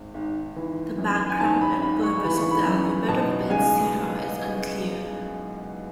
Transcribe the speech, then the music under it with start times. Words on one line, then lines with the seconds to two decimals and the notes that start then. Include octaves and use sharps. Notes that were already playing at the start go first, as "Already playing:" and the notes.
The background and purpose of "The Alphabet of Ben-Sira" is unclear.
Already playing: G#1
0.14 G#1
0.56 E3
0.98 F#2
1.29 G#5
1.40 G#1 A5
1.61 B5
1.82 G#1 B5
2.03 C#6
2.24 E3 B5
2.37 C#6
2.51 B5
2.66 F#2
3.09 B2 A5
3.50 C#2 G#5